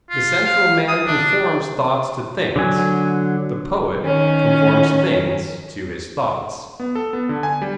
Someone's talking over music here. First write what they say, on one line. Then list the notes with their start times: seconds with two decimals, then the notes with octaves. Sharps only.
The sensual man conforms thoughts to things; the poet conforms things to his thoughts.
0.10 F4
0.45 F5
0.88 D#6
1.06 D4
2.56 D3 F#3 G#5
4.01 D#3 C#4
6.80 B3
6.95 A4
7.13 B3
7.29 D3
7.43 G#5
7.62 G3